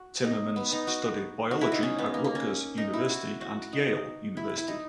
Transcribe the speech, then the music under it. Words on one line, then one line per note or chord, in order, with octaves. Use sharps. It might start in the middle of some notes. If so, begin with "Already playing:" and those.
Timmermans studied biology at Rutgers University and Yale University.
Already playing: F#4
D#4
B3
D#4
F#4
F#4
E4
D#4
C#4
B3
A#3
A#3
C#4
D#4
E4
F#4
F#4
D#4
E4
E4
D#4